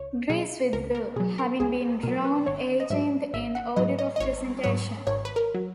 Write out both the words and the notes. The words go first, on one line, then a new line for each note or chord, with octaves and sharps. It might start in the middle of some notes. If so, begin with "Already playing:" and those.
Greece withdrew, having been drawn eighteenth in order of presentation.
Already playing: C#2 C#5
B2 F#3 G#4
C#2 A#4
A#4
B2 F#3 G#4
A#4
C#2 G#4
B2 F#3 A#4
B4
G#1 C#5
D#5
G#2 F#3 E5
G#1 E5
F#5
G#2 F#3 D#5
D#5
D#5
G#1 C#5
G#2 F#3 C#5
G#1 C#5
B4
A#4
F#3